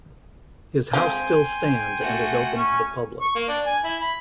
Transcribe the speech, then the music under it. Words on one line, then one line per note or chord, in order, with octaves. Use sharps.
His house still stands and is open to the public.
F3 G#3 C4 G5 G#5 C6
A3 F#4
C#4 G#5
C#6
A#3
D4
G#5
E4
B5